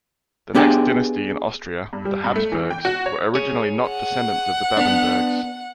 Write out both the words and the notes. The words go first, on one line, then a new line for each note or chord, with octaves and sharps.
The next dynasty in Austria-the Habsburgs-were originally not descendants of the Babenbergs.
B3 D4 G4 G#4 B4 G5
G2
G3
G2
A3
E3
G5
F#4
C#5
G#4 C#5
F#5
B3 D4